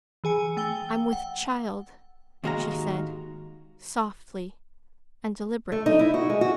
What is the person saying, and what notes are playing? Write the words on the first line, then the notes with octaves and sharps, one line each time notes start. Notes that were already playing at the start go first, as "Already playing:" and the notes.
"I'm with child," she said, softly and deliberately.
E3 G#4 G#5 C#7
A3 G5 E6 G7
F#5
D#2 G#2 G#3 F#4 F5 A#5
A3
D#4
E4
F#4
G#3
F#4